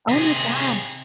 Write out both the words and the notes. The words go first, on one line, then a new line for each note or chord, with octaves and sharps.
Oh my gosh.
C3 G#4